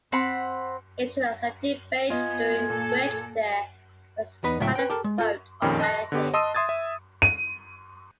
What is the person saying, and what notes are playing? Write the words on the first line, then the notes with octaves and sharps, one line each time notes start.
It was a debate during which there was not a vote on anything.
C4 F#5 B5
B3 F4 D#5 G#5
A#2 A#3 A4
E2 B3 D#4 B4 B5
C#2 A2 F#3 E5 G5
B4 G5
G4 A4 A#4
G#3
F4 A4
F2 A#2 D#3 F3 C#4
D#5 A5 F#6 A#6
D3 B3 G4
D#5 A5 C6 D#6 E6 D#7
E5 C6 D#6 G#6 A6
E5
D#7